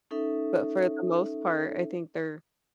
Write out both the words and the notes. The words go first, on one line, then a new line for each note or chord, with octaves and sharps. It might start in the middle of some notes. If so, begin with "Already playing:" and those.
But for the most part, I think they're
C#4 D#4 A4 E5